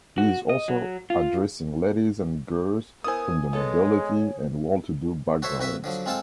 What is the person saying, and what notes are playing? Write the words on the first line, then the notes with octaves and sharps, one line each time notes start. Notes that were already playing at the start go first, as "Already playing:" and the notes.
He is also addressing ladies and girls from the nobility and well-to-do backgrounds.
F#4
D#5
F#3
F4
B3 E4 A#4 C5 G#5 D#6
G#3 B3 A4 C#5
F#4 A4 C5 C#5 E5
F2 F#4 B4 E5
D3 F3 F#3
G#3 C4 F4 A4 A5